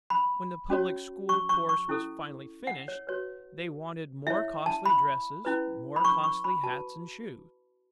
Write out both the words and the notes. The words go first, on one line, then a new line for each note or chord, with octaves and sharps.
When the public school course was finally finished, they wanted more costly dresses, more costly hats and shoes.
B5
C#4 F#4 C#5
C#6
C#6
C#6
C#4 E4 A4
F#5
C#5
F#4 B4 C#5
E4 C#5 E5
A5
B5
C#4 E4 B4
B5
C#6
C#6
B5
F#4 B4 A5